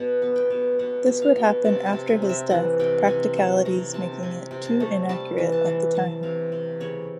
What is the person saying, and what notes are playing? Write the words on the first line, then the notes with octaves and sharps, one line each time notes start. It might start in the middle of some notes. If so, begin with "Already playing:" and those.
This would happen after his death, practicalities making it too inaccurate at the time.
Already playing: B2 F#5
B3
G5
B2
B2 F#5
B2
F5
B2
C3 A5
A5
C3
G#5
C3
E5
E3 F#5
C3 G5
C3 G#5
A3 A5
C3 A#5
C3 A5
C3 G#5
C3
A5
A3
G3 A5
E3
A5
E3
E3 A5
C3 F5
C3
C#3 C#5